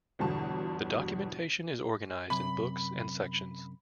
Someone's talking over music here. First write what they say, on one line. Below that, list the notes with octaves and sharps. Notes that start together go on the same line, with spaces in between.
The documentation is organized in books and sections.
G1 E2 G2 B2 D3 A5
F#2 C3 B5